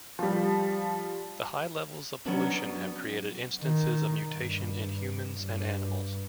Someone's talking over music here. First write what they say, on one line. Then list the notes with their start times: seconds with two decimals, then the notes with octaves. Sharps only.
The high levels of pollution have created instances of mutation in humans and animals.
0.19 F3 G3
2.26 F#3 B3 C#4 D4
3.62 D#3
4.34 G2
5.38 G2